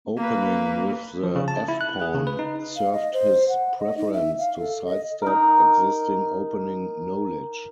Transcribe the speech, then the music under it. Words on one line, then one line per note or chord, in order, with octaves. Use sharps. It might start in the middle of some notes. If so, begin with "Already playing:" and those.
Opening with the f-pawn served his preference to sidestep existing opening knowledge.
A#3 B4
F3
C#3
A5
E4
F#6
G#4
C#3
B4
D#4
F5
D#5
C5
F#5
D#5
D#4
E5
F5
A4
D#5
D#4 A#4